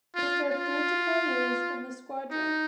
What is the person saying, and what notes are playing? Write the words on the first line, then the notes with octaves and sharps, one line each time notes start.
They serve three to four years in the squadron.
F4
F4
D#4